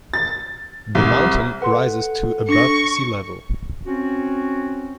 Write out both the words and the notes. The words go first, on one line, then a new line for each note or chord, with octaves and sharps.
The mountain rises to above sea level.
A6
C2
A4 B4 F#5 C6
D4 C#6 A#6 C#7
C4 C#4 F#4